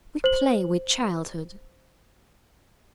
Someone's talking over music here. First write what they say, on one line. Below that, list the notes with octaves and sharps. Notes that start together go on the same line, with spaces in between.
We play with childhood.
C5 F#7